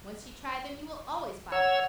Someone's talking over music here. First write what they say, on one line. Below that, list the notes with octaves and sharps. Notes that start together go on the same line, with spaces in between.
Once you try them, you will always buy them.
C#5 F#5 E6